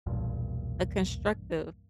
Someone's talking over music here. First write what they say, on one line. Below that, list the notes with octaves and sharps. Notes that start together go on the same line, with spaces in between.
A constructive
B1 E2 G2 A#2